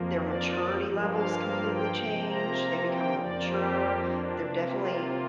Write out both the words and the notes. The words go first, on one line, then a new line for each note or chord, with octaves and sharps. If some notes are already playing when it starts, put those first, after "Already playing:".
their maturity levels completely change, they become more mature they're definitely
Already playing: F2 F3 A#3
D5
G2 F3 A#3
F5
G5
C3 F3 A#3
A#5
G5
F2 F3 A#3 D5
G4
D4
C3
A#3
F4